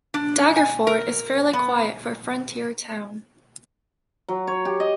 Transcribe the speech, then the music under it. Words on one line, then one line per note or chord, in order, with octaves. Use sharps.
Daggerford is fairly quiet for a frontier town.
D4
G#5
A#4
B3
F#3
C#5
G4
D#5